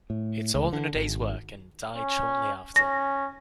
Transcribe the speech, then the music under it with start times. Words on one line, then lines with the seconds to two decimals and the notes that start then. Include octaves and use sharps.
It's all in a day's work and died shortly after.
0.10 A2
0.55 C#2
0.73 D3
0.95 G#1
1.96 C#4
2.76 C#4 A#6